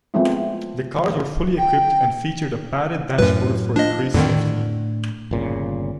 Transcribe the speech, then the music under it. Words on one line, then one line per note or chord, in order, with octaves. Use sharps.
The cars were fully equipped and featured a padded dashboard for increased safety.
F3 G#3 A3 B3 C4 E4
G5
F#2 A2 F#3 B4
F3 D4 D#5
F2 A2 D3 D#3 D4
G1 A#2 C#3